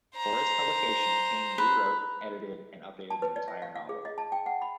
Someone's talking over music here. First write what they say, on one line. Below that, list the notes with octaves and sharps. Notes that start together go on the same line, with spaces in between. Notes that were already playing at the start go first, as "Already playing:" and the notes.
For its publication King rewrote, edited, and updated the entire novel.
C5 A#5
B4
A5
B4
D5
E5
F5
F5
G#4
D#5
A5
G5
F#5
B5